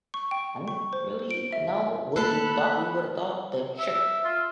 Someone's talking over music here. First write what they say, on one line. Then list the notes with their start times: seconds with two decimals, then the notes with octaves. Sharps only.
don't really know what you thought we would've thought, but sure,
0.14 C#6
0.31 G5
0.68 C#6
0.93 C5
1.31 D7
1.52 E5
2.16 A3 A#3 A4 A5 B5 F#6
3.79 E5
4.25 F4